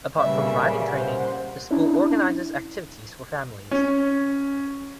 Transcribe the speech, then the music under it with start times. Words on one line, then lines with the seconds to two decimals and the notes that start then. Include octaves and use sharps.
Apart from riding training, the school organises activities for families.
0.18 A#2 C#3 G3 B4 E5
0.88 C5 F#5
1.71 C#4 D4 E4
3.71 C#4